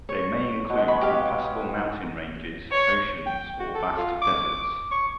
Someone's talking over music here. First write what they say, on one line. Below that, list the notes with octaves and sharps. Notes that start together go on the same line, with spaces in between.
They may include impassable mountain ranges, oceans, or vast deserts.
C#5
B2 G#3
G#3 C#5 B5
G4 F5
C#5
G5
F#4
A4
F4
D6
C#6